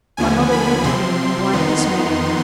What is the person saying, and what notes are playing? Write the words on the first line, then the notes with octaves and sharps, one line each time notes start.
My mother looked at me in blank dismay.
D#2 D3 F3 B3 G#5
B5
C3 F3 C4 C6
F2 D#3 B3 D#4